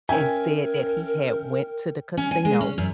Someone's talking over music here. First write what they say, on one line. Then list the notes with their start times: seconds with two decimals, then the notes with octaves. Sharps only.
and said that he had went to the casino
0.09 C#4 A#4 E5 G5 G#5
2.17 C#4
2.31 G#5
2.45 G#3
2.61 C#4
2.78 F#2